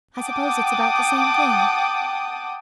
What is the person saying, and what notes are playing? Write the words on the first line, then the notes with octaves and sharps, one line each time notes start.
I suppose it's about the same thing.
F#5 G5 A5 D6 D#6